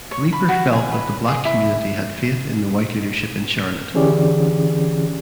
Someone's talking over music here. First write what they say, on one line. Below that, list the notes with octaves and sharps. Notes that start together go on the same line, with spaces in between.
Leeper felt that the Black community had faith in the White leadership in Charlotte.
C#5
B5
F#4
G#5
B4
G#4
E4
D3 E3 C#4 G4 G#4 D5